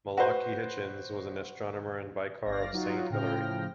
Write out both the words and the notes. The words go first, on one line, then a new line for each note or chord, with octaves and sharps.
Malachy Hitchins was an astronomer and Vicar of Saint Hilary.
F#4 B4 C5
G1 D5 F5 A#6
F#3 D#4 F4 F#4
A2 C#3 F3 G5 F6 A#6